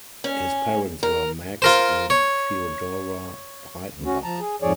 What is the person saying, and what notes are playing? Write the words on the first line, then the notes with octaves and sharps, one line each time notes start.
His parents were Max and Theodora Breitenbach.
C#4
A#4
F4 A#4 C5
C#5
D2
C#4 F#4
F3 A5 A#5
G#4
F2 G#2 F3 G#4 C#5 D5